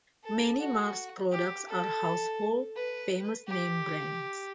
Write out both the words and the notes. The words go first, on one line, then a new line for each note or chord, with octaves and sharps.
Many Mars products are household, famous-name brands.
A4
F#4
G4
A4
B4
G4